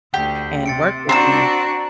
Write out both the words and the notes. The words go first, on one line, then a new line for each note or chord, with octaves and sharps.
and work with me."
D2 G4
C3 A6 C#7 D7
C4 D4 F#4 A5 A#5 E6